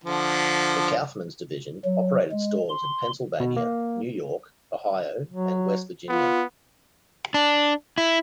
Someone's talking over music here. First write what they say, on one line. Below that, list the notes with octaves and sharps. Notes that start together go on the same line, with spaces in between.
The Kaufmann's division operated stores in Pennsylvania, New York, Ohio and West Virginia.
D3 F3
F#3
G#3
C6
B2
A#3
F#3
B3 F4
D4
E4